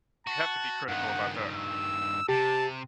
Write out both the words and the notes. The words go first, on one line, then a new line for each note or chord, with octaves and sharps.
you have to be critical about that.
F#4 A5
G2 D#3 F#5
E6
C3 G4 A5